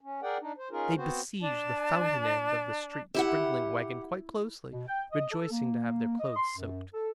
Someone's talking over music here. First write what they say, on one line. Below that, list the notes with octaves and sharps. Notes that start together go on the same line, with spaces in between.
They besiege the fountain-end of the street-sprinkling wagon quite closely, rejoicing to have their clothes soaked.
C#4
G#4 A#4 D5 F#5 G5
D4 D#4
C5
C#4 D#4 F4 G#4 A#4
B3 C4 F#4 C5
D4 A5
E4 G4 E5 F#5
B2
G5
D#5
A4
A#3
D#5
C6
F#2
A4